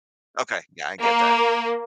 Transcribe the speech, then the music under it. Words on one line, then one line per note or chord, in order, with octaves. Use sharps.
Okay. Yeah, I get that.
A#3